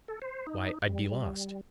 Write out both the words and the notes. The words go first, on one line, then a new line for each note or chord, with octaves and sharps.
Why, I'd be lost.
A4
C5
D#4
G3